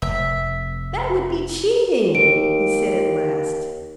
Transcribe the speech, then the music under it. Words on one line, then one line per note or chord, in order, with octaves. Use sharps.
"That would be cheating," he said at last.
F1 E5
D#2 D7